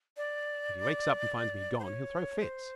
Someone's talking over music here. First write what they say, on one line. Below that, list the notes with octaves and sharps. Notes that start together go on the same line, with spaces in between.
If he wakes up and finds me gone he'll throw fits.
D5
C5
C#5
C5